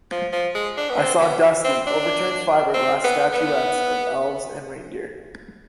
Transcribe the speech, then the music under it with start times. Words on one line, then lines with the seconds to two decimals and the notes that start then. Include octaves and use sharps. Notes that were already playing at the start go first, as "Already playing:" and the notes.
I saw dusty, overturned fiberglass statuettes of elves and reindeer.
0.11 F3
0.33 F3
0.55 G#3
0.77 D4
0.89 B3
0.98 C4
1.21 B3
1.64 C4
1.87 D4
2.74 C4
3.04 B3
3.33 B3